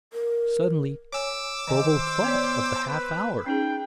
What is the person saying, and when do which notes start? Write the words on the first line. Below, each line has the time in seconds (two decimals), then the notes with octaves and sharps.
Suddenly Bobo thought of the half-hour.
0.13 A#4
1.13 C#5 G#5 D6 E6
1.67 D#3 C5 D#5 G#5
2.24 B3 C#5 D5
2.87 B4
3.46 C#4 D#4 G#4 G5